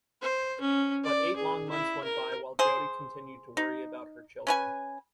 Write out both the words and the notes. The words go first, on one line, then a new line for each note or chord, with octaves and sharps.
But eight long months went by while Jodi continued to worry about her children.
C5
C#4
D5
G#4
E4
A#4
G#4 C5
D#4
C#4 B4 G#5